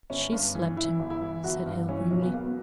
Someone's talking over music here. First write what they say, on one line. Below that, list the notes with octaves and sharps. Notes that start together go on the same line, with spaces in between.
"She slapped him," said Hale grimly.
G1 C#4
G2
E3
E3 E4
G1
E4
E3
G1 F#4
G2
E3 C#4
B1 C#4
B3
B2 A#3
B3